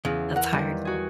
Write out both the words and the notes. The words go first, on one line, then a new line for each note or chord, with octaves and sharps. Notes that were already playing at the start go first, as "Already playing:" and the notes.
that's hard.
E2 C#3
A#4 F#5
D#2 G3
F#4 G#4